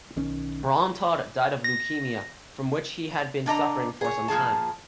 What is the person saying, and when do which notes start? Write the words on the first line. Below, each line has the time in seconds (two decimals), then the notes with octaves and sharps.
Ron Todd died of leukaemia, from which he had been suffering for some time.
0.16 B1 D#3 C#4
1.64 A#6
3.46 D3 D4 D#5 A#5
4.01 G#4 C#5
4.28 A#2 F3 G#4 A5